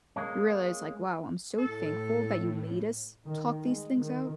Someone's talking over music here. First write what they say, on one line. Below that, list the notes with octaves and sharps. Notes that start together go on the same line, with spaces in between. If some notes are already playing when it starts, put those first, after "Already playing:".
you realize like, "Wow, I'm so thankful that you made us talk these things out.
G#3 A#3 C#4
A2 A4
D#3
G#3
D#3